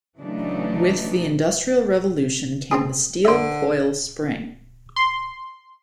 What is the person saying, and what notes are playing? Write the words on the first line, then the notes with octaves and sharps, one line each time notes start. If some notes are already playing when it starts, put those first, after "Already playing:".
With the industrial revolution came the steel coil spring.
C#3 E3 F#3 A3 D4 D#4
C4 D4 G#4
D3 C5 E5
C6